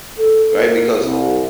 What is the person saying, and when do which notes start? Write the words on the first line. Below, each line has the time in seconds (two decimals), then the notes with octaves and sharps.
right? Because
0.19 A4
0.57 A#2
1.00 C2